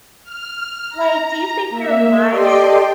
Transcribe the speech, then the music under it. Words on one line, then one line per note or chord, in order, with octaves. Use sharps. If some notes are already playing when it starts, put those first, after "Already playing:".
Like, do you think your minds
F6
A#5
A#3 E5
G4 A4 D5 D#5 G5 C6